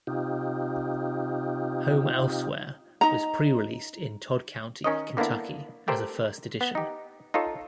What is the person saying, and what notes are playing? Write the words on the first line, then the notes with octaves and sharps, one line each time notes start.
Home Elsewhere was pre-released in Todd County, Kentucky as a first edition.
C3 D#4 F4 G4
D#4 A#5
D#3 C#4 D#4 A#4 C#5 D#5
D3 A#3 B3 D4 E4
A3 G4 A#4 C5
B3
D#4 G4
D#4 F4 A4 C#5